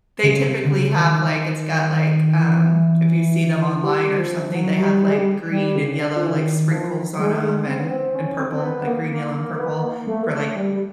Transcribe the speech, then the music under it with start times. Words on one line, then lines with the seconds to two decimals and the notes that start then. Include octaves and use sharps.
They typically have like, it's got, like, um, if you see them online or something, they have, like, green and yellow, like, sprinkles on 'em and and purple, like green, yellow, and purple for like
0.23 C#3
0.47 C3
0.65 D3
0.71 C#3
0.95 D#3
2.40 E3
3.83 G3
4.18 F3
4.50 F3
4.55 F#3
4.79 G3
5.03 G3
5.10 G#3
5.18 G3
5.51 G3
5.76 C#3
5.99 D3
6.16 F3
6.25 E3
6.35 D#3
6.71 F3
7.19 G#3
7.32 A3
7.43 G#3
7.67 C4
7.80 B3
7.91 C4
8.15 C#4
8.39 C4
8.53 C4
8.62 B3
8.87 A#3
9.11 A#3
9.35 A#3
9.59 B3
9.83 A#3
10.07 A3
10.23 A#3
10.31 A3
10.56 G3
10.72 G3